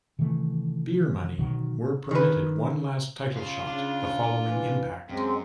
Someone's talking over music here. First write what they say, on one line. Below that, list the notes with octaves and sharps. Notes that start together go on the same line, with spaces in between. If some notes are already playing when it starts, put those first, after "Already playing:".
Beer Money were permitted one last title shot the following Impact!
C3 D#3 E3 A3
B2 D3 D#3 F#3
D#3 B4
C#3 F4 F5
C#3 D4
E3
F#2 G#3 C4